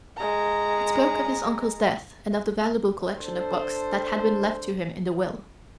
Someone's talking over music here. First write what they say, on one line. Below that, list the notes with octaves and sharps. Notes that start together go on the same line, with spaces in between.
It spoke of his uncle's death and of the valuable collection of books that had been left to him in the will.
G#3 A#5
D4 A4 C5